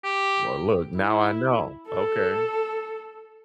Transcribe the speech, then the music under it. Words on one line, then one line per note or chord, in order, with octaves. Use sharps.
Well, look, now I know. Okay.
G4
E4
A4